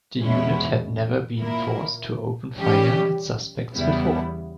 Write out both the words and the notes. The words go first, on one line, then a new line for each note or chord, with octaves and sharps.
The unit had never been forced to open fire at suspects before.
E2 B2 G#3 C#4 E4
A#2 A#3 E4 A#4
E3 G3 C#4 G4
E2 C#3 G3 B3 E4